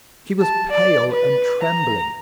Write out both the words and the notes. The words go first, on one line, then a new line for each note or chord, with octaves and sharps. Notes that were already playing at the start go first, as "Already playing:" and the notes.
She was pale and trembling.
A5
D5
B4
A#5